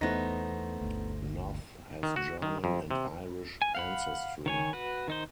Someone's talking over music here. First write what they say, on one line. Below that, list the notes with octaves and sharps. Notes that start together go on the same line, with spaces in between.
Noth has German and Irish ancestry.
E2 A3 B3 D#4 C5 A#6
G1 D2
D#3
F#4
D#3
F2
C3
G#5
F5 F#5 B5
D#3 C#5 G#5
F#4 B4
D#3 D#4 C5